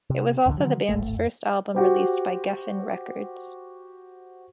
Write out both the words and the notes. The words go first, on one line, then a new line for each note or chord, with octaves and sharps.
It was also the band's first album released by Geffen Records.
C3
A1 D2 A#2 D3
D3 D#3 F#3
D1 G#1 A3
F2
F#4 G4 C5